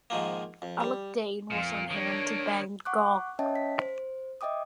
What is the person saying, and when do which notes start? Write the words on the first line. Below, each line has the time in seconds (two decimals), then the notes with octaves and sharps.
Alec Dane was on hand to bang the gong.
0.10 G#2 D#3 F3 A#3
0.62 F2
0.80 G3
1.50 F2 A#2 F5
1.90 D#3 A#3 D4 C#5
2.85 F#5 C#6 D6 F#6
3.39 C#4 C#5 D#5 E5 G5 A5
3.56 B6
3.80 C5
4.41 D#5 E5 G5 D6 D#6